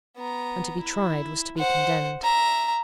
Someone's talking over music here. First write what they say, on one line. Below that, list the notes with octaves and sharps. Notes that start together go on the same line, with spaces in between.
And to be tried was to be condemned.
B3 A#5
E4
C5 F#5
E5 A#5